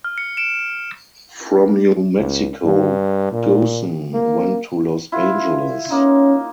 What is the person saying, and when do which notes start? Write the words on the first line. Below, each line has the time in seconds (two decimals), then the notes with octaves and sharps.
From New Mexico Goossen went to Los Angeles.
0.04 F6
0.18 C#7
0.37 D7 E7
2.18 C#2
2.64 G2
3.32 A#2
4.13 A#3
5.12 E4 F4
5.90 A#3 C#4 D#4